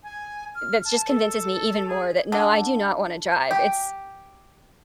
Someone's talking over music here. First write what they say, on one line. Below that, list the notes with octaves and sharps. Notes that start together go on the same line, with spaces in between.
that's just convinces me even more that, no, I do not wanna drive. It's
G#5
F6
A5
A4
G#4
D3
G4